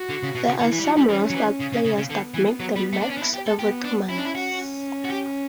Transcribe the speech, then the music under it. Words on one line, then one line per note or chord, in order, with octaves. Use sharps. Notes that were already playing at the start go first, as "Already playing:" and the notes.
There are some rostered players that make the max every two months.
Already playing: F#4
D3
C#3
B2
C#3
D3 E4
E3
G3
F#3
G3
E3 C#4
F#3
E3
C#3
C#3
C#3
C#3
D3 B3
E3
F#3
G3
A3
D4
C#4
D4
E4
G4
A4
B3 G4
D4
C#4 E4
D4
E4
F#4
C#4
F#4
G4